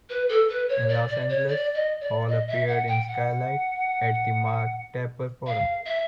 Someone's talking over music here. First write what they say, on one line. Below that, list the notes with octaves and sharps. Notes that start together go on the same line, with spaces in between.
In Los Angeles, Hall appeared in "Skylight" at the Mark Taper Forum.
B4
A4
B4
C#5
D5
D5
C#5
D5
D#5
D5
D#5
E5
F#5
G5
F#5
F5
E5